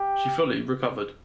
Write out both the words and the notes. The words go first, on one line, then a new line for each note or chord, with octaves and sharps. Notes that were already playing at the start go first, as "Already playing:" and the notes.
She fully recovered.
Already playing: G4